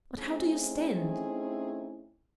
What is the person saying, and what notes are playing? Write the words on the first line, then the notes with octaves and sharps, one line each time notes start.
'But how do you stand?
A3 C4 C#4 D#4 E4 G#4